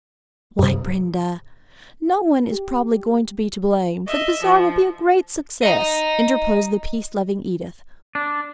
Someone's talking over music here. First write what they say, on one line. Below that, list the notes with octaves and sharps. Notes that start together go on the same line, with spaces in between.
"Why, Brenda, no one is probably going to be to blame, for the Bazaar will be a great success," interposed the peace-loving Edith.
G2 C3
G4
D#5 E5
F3
D#5 A#5
D4